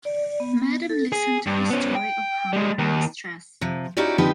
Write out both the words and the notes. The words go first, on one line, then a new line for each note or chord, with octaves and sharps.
Madame listened to her story of hunger and distress.
D5
B3
A4
G#4
G2
B3 C#4
G5
G3 G#3
D#2
C3 F3
C#4 D#4 E4 F#4 G4 D5
D3 F3 C4 D#4 G4 B4